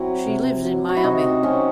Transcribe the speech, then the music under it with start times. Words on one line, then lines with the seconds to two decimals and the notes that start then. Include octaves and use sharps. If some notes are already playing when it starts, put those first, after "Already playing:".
She lives in Miami.
Already playing: F#3 C4 E4
0.26 C3
0.65 F#3 C4
0.89 F#4
0.97 E4
1.04 C3 D#4
1.24 C4
1.43 F#3 C4 C#4